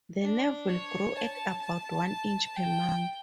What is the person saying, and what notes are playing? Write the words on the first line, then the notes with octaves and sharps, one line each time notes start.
The nerve will grow at about one inch per month.
D4
C#5
A5
A5
G5